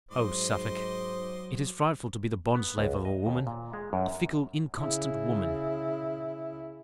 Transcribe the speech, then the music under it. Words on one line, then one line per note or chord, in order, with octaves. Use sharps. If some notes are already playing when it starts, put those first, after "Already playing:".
Oh, Suffolk! it is frightful to be the bondslave of a woman--a fickle, inconstant woman.
G#2 F#3 C5 D#5 C6 D6
B3
C#2
D#5
D#2
A#2
G#3
F#2
C#3 E4